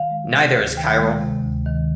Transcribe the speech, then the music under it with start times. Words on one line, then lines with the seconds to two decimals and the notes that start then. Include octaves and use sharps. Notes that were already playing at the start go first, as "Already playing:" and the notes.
Neither is chiral.
Already playing: D#3 F5
0.10 G#3
0.33 C3
0.55 D2
0.77 D#3 G5
0.99 G#3
1.21 C3
1.44 D2
1.66 D#3